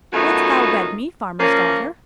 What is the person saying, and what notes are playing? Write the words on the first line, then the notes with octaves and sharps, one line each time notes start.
'Wilt thou wed me, farmer's daughter?'
F#2 B2 A3 D#4 F4 F#4
F3 A#3 C#4